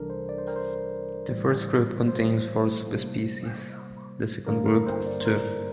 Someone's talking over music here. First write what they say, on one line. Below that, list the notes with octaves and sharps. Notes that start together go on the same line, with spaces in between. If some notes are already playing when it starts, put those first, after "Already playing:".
The first group contains four subspecies, the second group two.
Already playing: C2 C3 E3 G3 D4 A4 A#4
C5
D5
C5
A#4
C5
A2 E3 G3
C5
C3 G3 A#3
G2 D3 G3 A#3 D4 A#4
A#4
C5
D5
C5
A#4